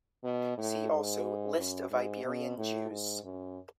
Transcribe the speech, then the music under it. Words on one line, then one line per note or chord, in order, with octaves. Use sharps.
See also List of Iberian Jews.
B2
A2
G#2
F#2
G#2
B2
A2
G#2
F#2